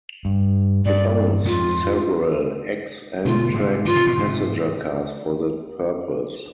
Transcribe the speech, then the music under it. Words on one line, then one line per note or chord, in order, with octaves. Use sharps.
It owns several ex-Amtrak passenger cars for that purpose.
G2
G2 D5
F2 G#2 F4
B2 D3 F4
G#2 C3
D3 F4
C3
B2
G#2 C3